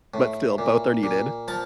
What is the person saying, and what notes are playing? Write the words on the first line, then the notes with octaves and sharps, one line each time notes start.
But still, both are needed.
A2
A#2
A#2
F3 A5